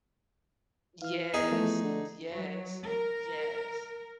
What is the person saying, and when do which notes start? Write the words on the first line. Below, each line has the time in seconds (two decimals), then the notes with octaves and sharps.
Yes. Yes. Yes.
1.02 E3 F5 F6
1.34 E2 D#4 G#4
1.51 F3 A3
1.84 D3
2.30 F#3
2.85 A#4